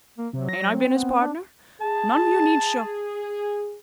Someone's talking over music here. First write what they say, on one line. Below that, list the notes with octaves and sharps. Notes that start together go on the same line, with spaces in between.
Ain't I been his pardner? None of you need show.
A#3
C3 F#3
A#6
C4
B3
D4
G#4 A5